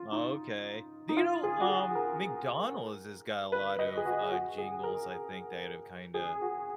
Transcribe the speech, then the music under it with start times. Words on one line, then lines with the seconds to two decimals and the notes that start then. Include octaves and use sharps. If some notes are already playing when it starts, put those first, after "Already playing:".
Okay. Do you know, um, McDonald's has got a lot of, uh, jingles, I think, that have kinda
Already playing: F4
0.12 D#4
1.09 D#4
1.17 F4
1.43 G#4
1.60 F#4
1.69 G#4
1.95 A#4
3.52 B4
3.79 D#5
3.97 G#4
4.06 F#4
4.31 F#4
4.58 G#4
4.84 A#4
6.14 G#4
6.41 F#4